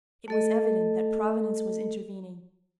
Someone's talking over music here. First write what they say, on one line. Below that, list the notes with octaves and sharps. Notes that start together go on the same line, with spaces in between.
It was evident that Providence was intervening.
A3 A4 D#5